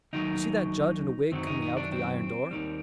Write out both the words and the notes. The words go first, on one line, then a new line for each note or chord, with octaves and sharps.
You see that judge in a wig coming out at the iron door?
D#2 D#3 F#3 D#4
F#2 D#3 F#3 C4
D#4
D#4
D4
C4
D#2 D#3 G3